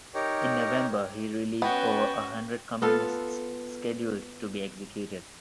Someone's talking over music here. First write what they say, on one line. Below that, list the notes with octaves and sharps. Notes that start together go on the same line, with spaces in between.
In November, he released over a hundred communists scheduled to be executed.
D#4 G4 A#4 C#5
B3 C#4 F#4 G5
B3 F4 A4